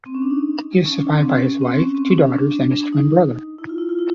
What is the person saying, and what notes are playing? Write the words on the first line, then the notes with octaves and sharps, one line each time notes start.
He was survived by his wife, two daughters, and his twin brother.
C4
C#4
D4
D#4
C#4
D4
C4
C#4
C4
C#4
C4
C#4
D4
D#4
E4
F4
E4
F4
E4